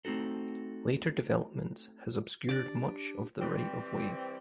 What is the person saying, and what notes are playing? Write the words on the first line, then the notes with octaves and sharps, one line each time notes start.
Later development has obscured much of the right of way.
A3 C4 D#4 F#4 A4
D4 G4 D5 D6
E3 G3 C4